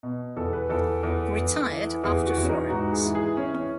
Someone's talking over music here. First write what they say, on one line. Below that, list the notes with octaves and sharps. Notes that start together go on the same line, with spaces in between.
Retired after Florence.
B2
E2 A4
B4
E2 A4
E2
E2
E3
E2 G#4
F#4
E2
C#4
D#4
G#2 F#4
G#4
E3
G#4
E3 C#4
C#4